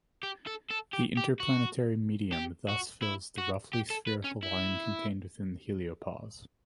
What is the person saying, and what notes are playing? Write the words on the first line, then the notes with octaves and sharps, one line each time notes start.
The interplanetary medium thus fills the roughly spherical volume contained within the heliopause.
G4
A4
A4
G4
G4
F#4
G4
F#4
E4
F#4
G4
A4
B4
C#4
E4